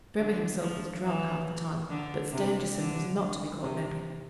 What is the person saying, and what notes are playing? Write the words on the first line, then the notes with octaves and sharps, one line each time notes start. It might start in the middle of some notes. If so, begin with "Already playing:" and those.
Drebber himself was drunk half the time, but Stangerson was not to be caught napping.
D3
F3
E3
D3
C3
D3
C3